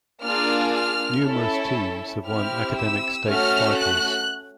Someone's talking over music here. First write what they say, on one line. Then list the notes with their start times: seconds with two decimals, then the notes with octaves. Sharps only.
Numerous teams have won academic state titles.
0.22 A#3 D4 F4 G#4 F6
0.74 F6
1.24 C#4 E4 A4
2.26 C4 E4 G4 F6
2.77 E6
3.27 A3 C#4 F#4 F6
3.78 F#6